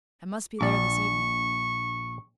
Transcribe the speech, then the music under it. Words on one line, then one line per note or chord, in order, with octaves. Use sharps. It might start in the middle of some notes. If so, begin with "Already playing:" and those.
"I must be there this evening."
A#1 D5 C#6